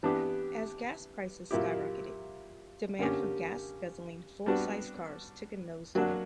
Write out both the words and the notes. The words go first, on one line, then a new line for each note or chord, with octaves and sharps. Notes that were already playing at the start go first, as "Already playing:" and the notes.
As gas prices skyrocketed, demand for gas-guzzling full-sized cars took a nosedive.
E3 B3 D4 G4
A#2 F#3 A#3 E4 G4
D3 A#3 C#4 G4
G3 B3 D4 F#4
F#3 A#3 D4 F#4